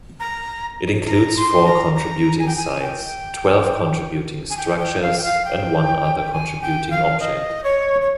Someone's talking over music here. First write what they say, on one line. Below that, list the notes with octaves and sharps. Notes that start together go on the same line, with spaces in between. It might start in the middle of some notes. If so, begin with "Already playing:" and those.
It includes four contributing sites, twelve contributing structures, and one other contributing object.
A#5
A#5
C6
A#5
A#5
G#5
G5
G#5
G5
G#5
G5
G5
F5
G5
F5
G5
G#5
G5
F5
D#5
C#5
C#5